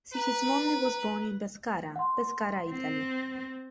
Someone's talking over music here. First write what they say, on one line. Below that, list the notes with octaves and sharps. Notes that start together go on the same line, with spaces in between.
Sigismondi was born in Pescara, Pescara, Italy.
B4 A#5
F#5 C6
C4